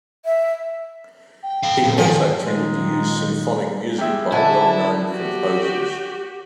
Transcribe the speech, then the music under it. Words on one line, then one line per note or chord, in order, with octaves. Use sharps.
He also tended to use symphonic music by well-know composers.
E5
G5
A4 F5
A#2 C4
D#3 F3 G#3 G#5
A#2 D#3 G#3 D#4
G3 G#3 E5
D3 E4 F#5 G#5 A5
F#4 G4